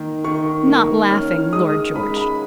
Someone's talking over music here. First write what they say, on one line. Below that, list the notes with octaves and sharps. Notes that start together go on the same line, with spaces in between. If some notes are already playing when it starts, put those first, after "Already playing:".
"Not laughing, Lord George."
Already playing: D#3 A#3
D#3 C#6
A#3
C#4 F6
G#3 D#6
G#3 B5
B5